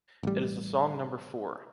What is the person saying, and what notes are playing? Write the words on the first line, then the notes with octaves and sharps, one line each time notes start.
It is the song number four.
A1 G3